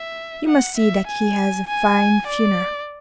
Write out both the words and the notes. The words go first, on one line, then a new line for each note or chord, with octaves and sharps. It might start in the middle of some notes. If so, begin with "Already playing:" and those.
You must see that he has a fine funeral.'
Already playing: E5
F#5
E5
G#5
G#5
D5